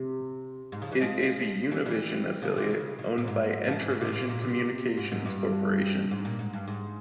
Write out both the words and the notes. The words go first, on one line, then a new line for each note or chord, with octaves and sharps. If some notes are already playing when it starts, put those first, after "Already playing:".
It is a Univision affiliate, owned by Entravision Communications Corporation.
Already playing: C3
G#2
C#3 F3
E3 G3
F3 G#3
E3 G3
E3 G3
C#3 F3
C3 E3
C#3
C#3
A#2
G#2
F3
E3
C#3
C3
A#2
A#2
C3
G#2
G#2
G2
G#2
A#2
G#2
G2
G#2